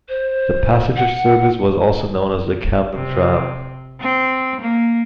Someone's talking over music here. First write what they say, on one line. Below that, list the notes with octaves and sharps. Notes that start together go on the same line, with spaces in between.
The passenger service was also known as the 'Camden Tram'.
C5
F#5
C3
C4
A#3